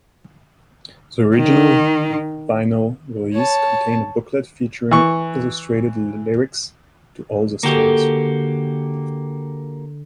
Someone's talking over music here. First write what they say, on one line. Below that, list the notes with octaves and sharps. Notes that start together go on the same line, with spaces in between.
The original vinyl release contained a booklet featuring illustrated lyrics to all the songs.
D#3
C#5 A5
E3 C#6
D3 A#3 F#4 G4